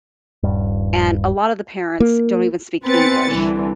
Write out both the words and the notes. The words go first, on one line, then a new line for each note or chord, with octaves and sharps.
and a lot of the parents don't even speak English,
D#1 G2
A#3
B3 C4 B4 G#5 A6 C#7
C2 D3 E3